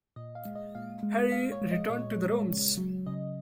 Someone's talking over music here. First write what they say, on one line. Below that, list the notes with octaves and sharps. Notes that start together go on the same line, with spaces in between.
Harry returned to the rooms.
A#2 D#5
F5
G#3
D#5
A#2 F5
G#3
A#2 F5
C#5
G#3
D#5
A#2 C#5
G#3
C#3
F#3
C#3 D#5